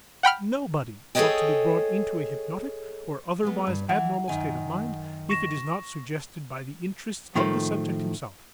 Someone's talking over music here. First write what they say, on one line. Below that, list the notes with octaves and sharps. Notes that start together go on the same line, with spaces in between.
Nobody ought to be brought into a hypnotic or otherwise abnormal state of mind if it is not suggested by the interests of the subject himself.
F#5 G5 B5 F6
G#4 A4 B4 C#5 D#5 G5
G#3 A3 B3
G2
E3 F#5
F#2 D#3 G#5
C#6 A#6 E7
A2 D#3 F3 A3